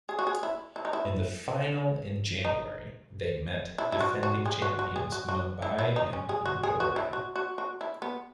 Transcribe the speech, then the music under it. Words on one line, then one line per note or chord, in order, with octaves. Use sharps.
In the final in January, they met defending champions Mumbai in Indore.
G#4
F#4
G#4
E4
E4
D#4
E4
D#4
E4
E4
F#4
F#4
G#4
F#4
F#4
G#4
F#4
F#4
E4
E4
D#4
C#4
G#4
F#4
G#4
F#4
E4
F#4
F#4
F#4
E4
B3